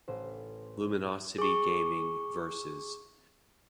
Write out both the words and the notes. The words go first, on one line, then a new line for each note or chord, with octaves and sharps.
Luminosity Gaming vs.
A1 C5
G#4 C#6